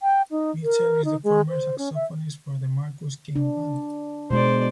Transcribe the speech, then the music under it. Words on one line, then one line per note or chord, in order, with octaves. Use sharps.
Mitchell is the former saxophonist for The Marcus King Band.
G5
D#4
A#4
D#4
G#3
C5
C#4
E5
D4
B2 G#3 C5 D5